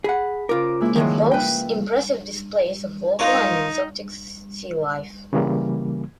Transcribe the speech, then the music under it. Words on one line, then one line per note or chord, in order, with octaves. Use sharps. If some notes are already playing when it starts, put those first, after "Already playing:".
It boasts impressive displays of local and exotic sealife.
G#4 F#5 B5
C#3 F4 A#4 C5 D6
G#3 A#3 E4
D#3 F3 F#3 G#3 E4
B4 G5
D#4 F4 A#4 C#5
C#3 E3 G3 A#3